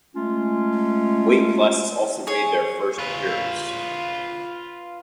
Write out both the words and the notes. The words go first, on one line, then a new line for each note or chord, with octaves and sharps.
Weight classes also made their first appearance.
G#3 A3 C#4 F4
G#4 C#5
F4 B4